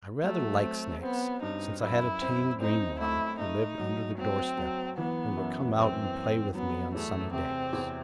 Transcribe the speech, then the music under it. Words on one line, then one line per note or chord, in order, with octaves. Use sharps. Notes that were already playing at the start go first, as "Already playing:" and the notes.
I rather like snakes, since I had a tame green one, who lived under the door-step, and would come out and play with me on sunny days.
F#3 A3
C4
B3 C4
G2 D#4
F#2 E4
C4
C4 D#4
A3 E4
A3 D#4
F#3
F#3 C4
F#3
E3 B3
F#2
F#2 C4
F#2
F#3 B3
E2 A3
C3 C4
E2